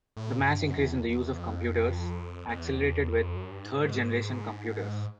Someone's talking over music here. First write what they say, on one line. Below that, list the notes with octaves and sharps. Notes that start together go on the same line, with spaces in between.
The mass increase in the use of computers accelerated with 'Third Generation' computers.
A2
A#2
F#2
G2
F#2
E2
E2
F2
F2
E2
F2
F#2
G2
G#2